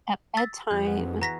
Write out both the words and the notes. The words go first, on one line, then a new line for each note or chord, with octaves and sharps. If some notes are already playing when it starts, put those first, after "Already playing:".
at bedtime,
E6 A6 B6
F2 G#4 G6
B3
E3 F#4 G#4 A#5 A#6 B6